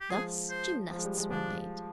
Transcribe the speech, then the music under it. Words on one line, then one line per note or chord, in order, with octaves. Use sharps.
Thus gymnasts were made.
G4
F3 G#3 G#4
C5
F3
G#3
G3
F3 G#3
F3 G#3 D4